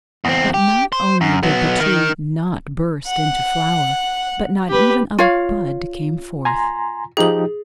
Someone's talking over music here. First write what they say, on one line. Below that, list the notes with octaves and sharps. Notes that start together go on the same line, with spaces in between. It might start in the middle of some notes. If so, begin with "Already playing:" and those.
But not only did the tree not burst into flower, but not even a bud came forth.
E2 C4
G4
C5
F#2
F#3 B3
D#3
F#5
G4 B4
F4 C#5 F5
G#5 A#5 C6
F3 D#4 G4 G#4 F#7